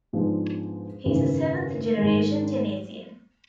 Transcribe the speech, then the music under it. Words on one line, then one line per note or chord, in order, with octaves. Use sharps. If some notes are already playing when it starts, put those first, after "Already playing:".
He is a seventh-generation Tennessean.
G#2 F3 G#3 B3 D4
G#1 F#2 C#3 E3
G#2 D#3 G#3